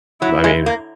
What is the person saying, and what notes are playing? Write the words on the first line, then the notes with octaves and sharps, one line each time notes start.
I mean,
F#3 E4
G#3
A#3